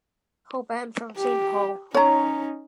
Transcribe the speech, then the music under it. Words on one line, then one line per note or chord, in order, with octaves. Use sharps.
Hoban from Saint Paul.
G4
C#4 D#4 C#5 A#5